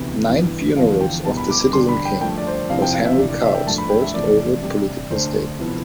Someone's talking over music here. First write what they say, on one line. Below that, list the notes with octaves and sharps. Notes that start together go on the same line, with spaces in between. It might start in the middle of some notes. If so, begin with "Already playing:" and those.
"Nine Funerals of the Citizen King" was Henry Cow's first overt political statement.
Already playing: D2 C3 E3 B3 E4
G2 E3 B3
E2 D3 F3 F5
G5
C2 B2 B3 A5
B5
D6
D6
G2 D3 G3 D4 C6
B5
G5
G2 F3 A3 G5
D5
C5
D5
C3 F3 C4 E4 F5
G5
F5
E5
D2 C3 E3 D5
D5
E5
G5
G2 F3 A3 A5
B5
G5
E5
E2 C3 F3 A3 D5
C3 G3 D4 D5
D2 D3 A3 C5
C3 F3 B3 E4